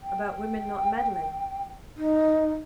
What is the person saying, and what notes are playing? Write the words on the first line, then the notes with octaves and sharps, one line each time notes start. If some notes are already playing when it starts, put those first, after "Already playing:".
'About women not meddling.
G5
D#4